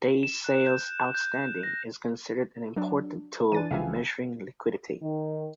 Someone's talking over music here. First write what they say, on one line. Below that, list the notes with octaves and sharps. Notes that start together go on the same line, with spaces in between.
Days sales outstanding is considered an important tool in measuring liquidity.
E7
F#6
G6
G6
A#6
F#3 D4
E3 D4 A6 D#7
C#2 E3 F3 E5 F5 G#5
D#3